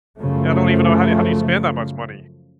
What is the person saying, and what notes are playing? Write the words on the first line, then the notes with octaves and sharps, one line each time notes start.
Yeah, I don't even know how do how do you spend that much money?
F#2 C#3 F3 A3